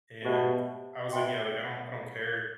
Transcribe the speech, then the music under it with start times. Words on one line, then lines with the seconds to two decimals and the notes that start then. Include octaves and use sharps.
and I was like, "Yeah, like, I don't I don't care,"
0.25 B2 G4 C5 E5 A5
1.12 B2 C5 E5 G5 C6